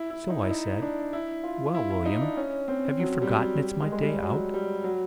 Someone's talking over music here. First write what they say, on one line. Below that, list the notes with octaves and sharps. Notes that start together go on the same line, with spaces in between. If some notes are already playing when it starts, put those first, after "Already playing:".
So I said, 'Well, Willyum, have you forgotten it's my day out?
Already playing: E4
E4
D#4
E4
D#4
D4
E4
F4
E4
E4
D#4
D4
C#4
C4
F#3
G3
F#3
G3
G#3
G#3
G3
F#3
G3
F#3